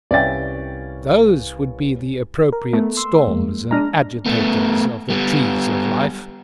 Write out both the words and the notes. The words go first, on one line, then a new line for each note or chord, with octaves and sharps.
Those would be the appropriate storms and agitators of the trees of life!
C2 C#4 B4 D5 E5 F5 G5 A6
A#4
A3 B3
C6 E6
F2 G#3 A#3
G#3 D4 A#5 F6 A#6
A3 B3
G3 B3